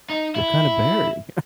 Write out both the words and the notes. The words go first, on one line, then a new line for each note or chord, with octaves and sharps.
What kind of berry?
D#4
E4